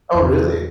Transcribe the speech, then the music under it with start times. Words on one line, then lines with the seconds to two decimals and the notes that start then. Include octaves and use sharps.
Oh, really?
0.15 E2